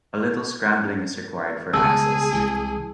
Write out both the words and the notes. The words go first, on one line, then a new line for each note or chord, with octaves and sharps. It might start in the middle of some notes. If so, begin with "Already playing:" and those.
A little scrambling is required for access.
C#2 B2 G3 G#4 A5 E6
C2 E3 G#3